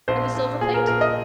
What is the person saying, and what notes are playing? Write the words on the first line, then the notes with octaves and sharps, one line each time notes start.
"And the silver plate?"
A#1 C5
A#1
A#2 G#4
A#4
A#1 A#4
D#5